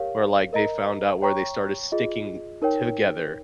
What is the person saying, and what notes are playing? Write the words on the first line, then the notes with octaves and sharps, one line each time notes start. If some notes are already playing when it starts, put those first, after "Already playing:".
where, like, they found out where they started sticking together
Already playing: G4 A#4 C#5 F5
A#4 D#5 A#5
C#5 G5 A#5 C#6
F4 G#4 D#5
D#4 A#4 C#5 G5